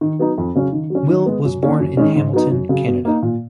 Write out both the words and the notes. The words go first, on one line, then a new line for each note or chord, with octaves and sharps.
Will was born in Hamilton, Canada.
D#3
F#3 B3 D#4
F2
C#3 F#3 C#4
D#3
F#3 C#4
D#3
G#3 B3
F#2
D#3 A#3 C#4
F#2
D#3 G#3 C#4
G#2
F#3 B3 D#4
F#2
C#3 F#3
B2
A#3 D#4
A#2